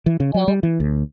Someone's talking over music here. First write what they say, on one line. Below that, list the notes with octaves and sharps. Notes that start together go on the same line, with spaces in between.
Well, m
E3
C#3
F#3
G3
E3
D2